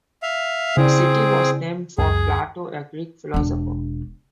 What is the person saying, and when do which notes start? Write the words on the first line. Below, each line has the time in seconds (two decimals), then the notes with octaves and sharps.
The city was named for Plato, a Greek philosopher.
0.22 E5 F5
0.77 C#3 C4 E4 G#4 D5
1.98 C#2 F#2 G#4 G#5
3.34 E1 D4